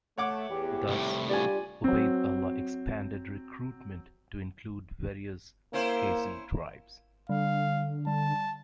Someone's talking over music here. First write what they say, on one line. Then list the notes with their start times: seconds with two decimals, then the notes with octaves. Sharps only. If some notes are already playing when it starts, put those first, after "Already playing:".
Thus, Ubayd Allah expanded recruitment to include various Qaysi tribes.
0.18 A3 C#5 F#5 D6
0.50 E2 G4
0.88 C2 A2 C3 E4
1.30 E2 G3 D4 F4 D5 G#5
1.84 F#3 C4
5.73 A#3 C#4 E4 C5
7.29 D3 G3 F5
8.07 G3 A5